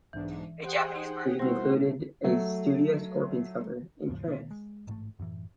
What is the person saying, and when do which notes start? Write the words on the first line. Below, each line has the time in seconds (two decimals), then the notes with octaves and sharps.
A Japanese version included a studio Scorpions cover, In Trance.
0.13 B1 G#2 E3 D4
0.64 G4 G#4 C5 F#5 G5
0.95 D#4
1.39 B2 G3 A3 C4 E4 F#4 C5
2.24 F#3 A3
4.09 D#2 G#2 C#3 F3
4.27 B2 D#3 A3 B3
4.51 G#3
4.87 A1 G#2 A3
5.19 F#2 A2 E3